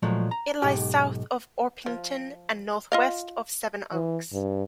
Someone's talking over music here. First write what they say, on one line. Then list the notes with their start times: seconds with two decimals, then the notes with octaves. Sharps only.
It lies south of Orpington and north west of Sevenoaks.
0.02 A#2 F3 F#3 G#3 A3
0.31 A#5
0.62 B1 G#2 G4
1.86 F3
2.92 F4 D#5 F5
3.93 E3
4.33 G2